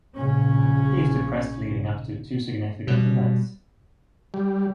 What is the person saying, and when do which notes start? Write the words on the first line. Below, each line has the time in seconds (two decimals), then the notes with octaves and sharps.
He is depressed leading up to two significant events.
0.15 A#1 C#3 C#4
2.87 B2 G3
4.34 G3